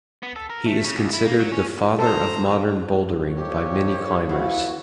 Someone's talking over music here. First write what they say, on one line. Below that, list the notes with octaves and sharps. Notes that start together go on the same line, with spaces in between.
He is considered "the Father of Modern Bouldering" by many climbers.
B3
A4
A#4
A3
C#3
C#2
E4
A#3
F#3
C#4
A4 C5 A#5
F2 A#2 G4 C#5
F2 B3 E4 F#4